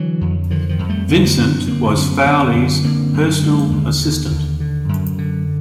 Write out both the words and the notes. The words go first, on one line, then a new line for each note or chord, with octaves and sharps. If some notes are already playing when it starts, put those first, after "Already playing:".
Vincent was Fowley's personal assistant.
Already playing: D3 E3 F#3
F2
D3 D#3 F3
D#3 F3
F2
G3 A3
D3 B3
C4
A3 B3
F#2 B3 C#4
D3 A#3 C4
F#2 B3 C#4
D3 B3 C#4
F#2
D3 A#3 C4
F#2
D3 G#3 A#3
D#2
D3
D#2
D3
F#2
D3